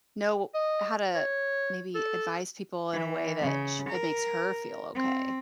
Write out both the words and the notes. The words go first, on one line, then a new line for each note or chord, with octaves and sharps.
know how to, maybe, advise people in a way that sh it makes her feel okay.
D#5
C#5
A4
E3
C#3
A#4
C4